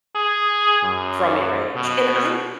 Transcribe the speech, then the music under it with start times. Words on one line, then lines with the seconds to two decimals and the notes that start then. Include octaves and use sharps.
from your age, and I'm
0.15 G#4
0.83 F#2
1.76 B2